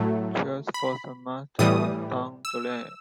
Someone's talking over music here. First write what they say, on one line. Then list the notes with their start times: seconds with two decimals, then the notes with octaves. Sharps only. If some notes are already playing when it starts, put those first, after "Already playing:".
Choi's first master was Dong Ju Lee.
Already playing: A2 F#3 A3
0.74 B5
1.59 A2 E3 G3 D#6
2.45 E6